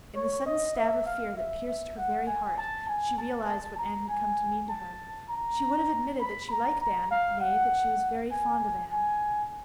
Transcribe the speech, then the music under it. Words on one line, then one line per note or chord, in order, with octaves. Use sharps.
In the sudden stab of fear that pierced her very heart she realized what Anne had come to mean to her. She would have admitted that she liked Anne--nay, that she was very fond of Anne.
C#5
D#5
E5
F5
E5
E5
F#5
G#5
A5
G#5
A5
A5
A#5
G#5
A5
A#5
B5
A#5
A#5
F5
F#5
G#5
G#5